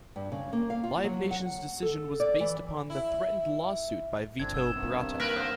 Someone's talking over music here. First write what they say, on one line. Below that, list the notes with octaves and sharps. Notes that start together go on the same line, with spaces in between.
Live Nation's decision was based upon the threatened lawsuit by Vito Bratta.
G2
C#3
A#3
F5
F4
F#3
F#5
A4
D5
E3
E4
G1 C4 D4 G#6
B3 E6 G6 E7
G2 C3 D#3 B3
A#3 A#4 B4 F6 A#6 B6
C5 D#6